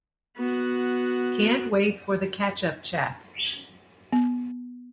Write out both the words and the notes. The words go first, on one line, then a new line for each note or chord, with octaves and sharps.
Can't wait for the catch-up chat!
B3 F#4
B3